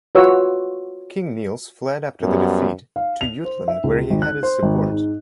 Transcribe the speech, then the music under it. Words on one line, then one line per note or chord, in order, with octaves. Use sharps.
King Niels fled after the defeat to Jutland where he had his support.
F4 F#4 B4 C#5 E5 E6
F#2 G3 B3
F5
F7
C5
E5
C#2
G#1
F#6
C5
G#1
G#2